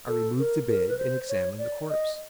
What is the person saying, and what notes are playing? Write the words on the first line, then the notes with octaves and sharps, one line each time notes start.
I removed the bed and examined the corpse.
A4
A#4
A#4
B4
C5
C#5
D5
D#5